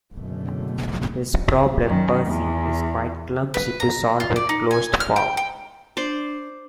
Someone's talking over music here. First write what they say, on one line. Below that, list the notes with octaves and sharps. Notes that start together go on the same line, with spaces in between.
This problem "per se" is quite clumsy to solve in closed form.
F#1 F#2 B2 D3 A3
F#2 D#3
E2
B4
A#5
F4
D5
D#4
G#5
F6
G5
G5
D4 C5 D5